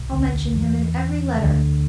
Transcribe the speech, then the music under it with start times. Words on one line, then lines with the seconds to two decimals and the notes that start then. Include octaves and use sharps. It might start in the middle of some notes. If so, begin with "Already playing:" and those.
I'll mention him in every letter.'
Already playing: B1 B2
0.12 D2 D3
0.56 E2 E3
1.36 C#3
1.41 D2 D3